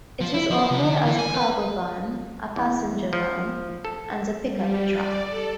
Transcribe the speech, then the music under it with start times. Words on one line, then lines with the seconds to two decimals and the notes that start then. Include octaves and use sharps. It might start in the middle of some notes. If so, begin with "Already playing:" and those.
It was offered as a cargo van, a passenger van, and a pickup truck.
0.21 F3
0.34 E4
0.50 F3
0.71 C3
0.83 D3
1.05 E3
1.19 G#5
1.34 B4
2.56 E2
3.13 F3
3.85 A4
4.48 G3
4.86 D5
5.23 A4